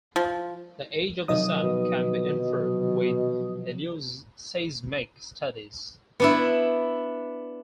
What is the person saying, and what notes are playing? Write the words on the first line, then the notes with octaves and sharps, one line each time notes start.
The age of the sun can be inferred with helioseismic studies.
F3
C3 D#3 F3 F#3 D#5 D#6
B2
B3 D4 E4